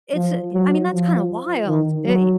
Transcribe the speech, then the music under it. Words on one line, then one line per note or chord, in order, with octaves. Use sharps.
it's i I mean, that's kinda wild, i
F3
F#3
F3
D#3
F#3